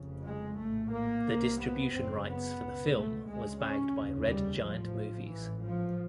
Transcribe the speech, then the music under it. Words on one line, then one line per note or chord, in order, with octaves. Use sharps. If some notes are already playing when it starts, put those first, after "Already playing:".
The distribution rights for the film was bagged by Red Giant Movies.
Already playing: F1 F2 C#3
G#3
A#1 A2 A3
A#3
C2 C3
B3
F#1 F#2 C#3 C4
B3
C#2 B2
A3
D2 C#3 G#3
C#4
F1 D#2 C#3
G3
A1 A2 F3
A1 G#2 E3
F3